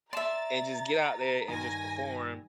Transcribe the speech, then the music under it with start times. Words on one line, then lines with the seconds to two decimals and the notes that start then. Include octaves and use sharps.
and just get out there and just perform
0.13 D5 E5 A5 A#5 C6 A6
1.48 G2 D#3 G#5 A#6